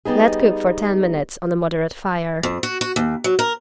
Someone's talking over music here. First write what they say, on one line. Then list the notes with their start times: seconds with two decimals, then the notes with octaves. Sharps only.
Let cook for ten minutes on a moderate fire.
0.05 G3 B3 D#4 G#4
2.43 F2
2.63 F#4
2.81 F#4
2.96 D#2
3.24 F#3
3.39 A#4